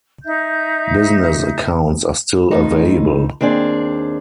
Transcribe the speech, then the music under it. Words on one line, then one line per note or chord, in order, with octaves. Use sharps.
Business accounts are still available.
D#4 E5 G6
F2 A2 D#4
D#2 C4 D4 G#4 D5